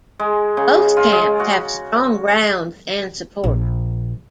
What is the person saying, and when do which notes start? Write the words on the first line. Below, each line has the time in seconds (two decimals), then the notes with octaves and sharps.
Both camps have strong grounds and supporters.
0.19 G#3
0.57 C#3
0.97 F4
1.12 G#3
1.40 F#4
3.44 A#1